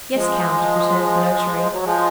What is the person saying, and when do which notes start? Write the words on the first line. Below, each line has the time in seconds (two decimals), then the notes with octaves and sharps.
"Yes, count," returned the notary.
0.15 F3 G#3
1.73 F#3
1.85 F3 G#3